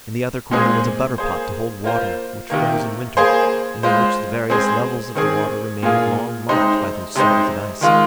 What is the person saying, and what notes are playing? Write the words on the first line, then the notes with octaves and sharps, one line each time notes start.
In the other corner was a butter-pot to hold water, which froze in winter, and in which the various levels of the water remained long marked by these circles of ice.
A#2 G#3 C4 G#4
A#3 G#4 C5
A#3 F4 C5
C3 D#3 A#3
A#3 G#4 C5
G#3 F4 C5
G#3 C4 G#4 C5
D#3 C4 G#4
A#2 A#3 F4 G#4
C3 G#3 D#4 C5
C3 G#3 D#4 C5
D#3 G#3 F4